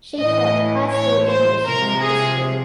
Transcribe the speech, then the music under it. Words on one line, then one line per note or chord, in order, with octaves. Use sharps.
She taught high school English and History.
A2 E3 D#5
C#5
C5
C3 F3 A#4
G#4